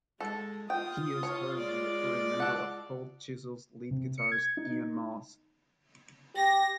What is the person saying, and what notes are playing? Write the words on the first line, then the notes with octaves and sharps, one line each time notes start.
He is currently a touring member of Cold Chisel's lead guitarist Ian Moss.
G#3 A4
F4 G5 D#6
C#5
G#3 D5
A4 F#5
C3
C#7
G#6
D#4
G4 A#6